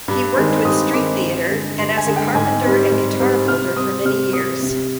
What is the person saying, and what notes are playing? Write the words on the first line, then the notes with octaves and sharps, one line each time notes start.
He worked with street theatre, and as a carpenter and guitar-builder for many years.
G2
D#3 G#3 C4
G2 D#6
D#3 G#3 C4 D6
G2
D3 G#3
G2 C6
G#5
D3 G#3
G5
G#2 G#5
G3 C4
G#2
G3 C4
C3 F6
G3 C4 D#6
C3 F6
G3 C4 D#6
C3